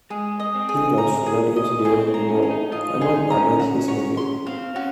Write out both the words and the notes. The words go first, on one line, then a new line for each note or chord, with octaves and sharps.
He lost relatives during the war, among others, his nephew.
G#3 G#4
D#5
C4
G#4
A#5
G#4
D#5
C4 G#4
C4
A#5
C#4
G#4
D#4
F4 D#5
D#4
G#4
D#4
A#5
C#4
F#4
C#5
C6
C4 F5
C#4 F#4